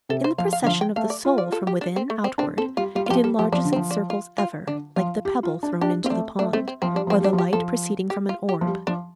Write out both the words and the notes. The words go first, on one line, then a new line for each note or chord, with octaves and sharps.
In the procession of the soul from within outward, it enlarges its circles ever, like the pebble thrown into the pond, or the light proceeding from an orb.
C3 A4
C5
F3 F5
F5
D3
F3 F5
G5
A3 F5
D5
F4
D5
A4
G4
D4
C4
A3
C4
C4 D4
C4 A4
G3 F4
G3 F4
F4
F3 G4
G3 A4
F3 G4
F3 D4
D3
C4
F3
D4
F4
F4
D3 D4
F3 F4
G4
F4
D4
D4 G4
C4 F4
A3 D4
A3 D4
A3 C4
C4
F3 C4
G3 D4
F3 C4
G3 D4
F3
G4
F3 A4
G4
F4
G4
F3
G3
F3 D4